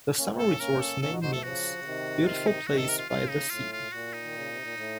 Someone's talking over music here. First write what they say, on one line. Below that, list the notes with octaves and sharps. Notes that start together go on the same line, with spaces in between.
The summer resort's name means "beautiful place by the sea".
A#3 C#4
A3 C4
A4
A#3 C#4
A#3 C#4 A#4
A4
A#3 C#4 A4
D#4 F#4
D#4 F#4 C5
F3 A3 A4
C#3 F3 F#4
C#3
C3 D#3
F4
D#4
C3 D#3 F#4
A4
A#4
F4
C#3 F4
D#4
A2 F4
F4
A#2 F#4
D#4
D#3
C#3
C3
A#2
A2